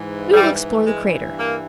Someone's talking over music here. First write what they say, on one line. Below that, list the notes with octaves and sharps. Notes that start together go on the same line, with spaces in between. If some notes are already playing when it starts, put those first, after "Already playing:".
We will explore the crater.
Already playing: G#2 E3
G3
G2 E3 G#3
A#3